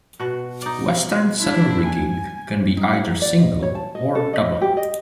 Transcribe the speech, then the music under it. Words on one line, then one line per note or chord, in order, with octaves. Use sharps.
Western saddle rigging can be either single or double.
B2 F#4
D#4 D5
D4 E4
G#5
D#4
F#5
A#5
D5
D#5
C#5
A5
D#5
A4
D#5
G4
D#5